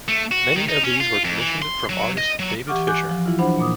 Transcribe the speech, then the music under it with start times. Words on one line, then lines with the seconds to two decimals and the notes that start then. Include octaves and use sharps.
Many of these were commissioned from artist David Fisher.
0.08 A3
0.31 F#4
0.56 D#3
0.69 D#4
0.84 C#4
1.00 F4
1.24 F2
1.39 E3
1.62 C6
1.89 F#3
2.18 D#5
2.39 F#3
2.67 E3 G4 F#5 C#6 D6 F6
2.88 G#5 D6 F#6 G6
3.09 F3
3.25 E3 F#3 E4 F4
3.39 D4 C5 F#5 B5
3.57 A#2 A#3 D6 D#6